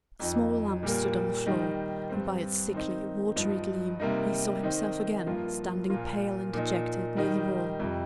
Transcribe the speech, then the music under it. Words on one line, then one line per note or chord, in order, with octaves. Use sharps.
A small lamp stood on the floor, and by its sickly, watery gleam, he saw himself again standing, pale and dejected, near the wall.
F2 F3 D#4
A#2 G3 A#3
D#3 G3 D#4
G2 G3 C4
D#3 C4 D#4
G2 F3 D#4
C3 G3 A#3 D#4
D#3 C4 D#4
G2 F3 A#3 F4
A#2 F3 A#3 F4
A#2 F3 D#4
D#3 G3 D#4
F2 C3 G3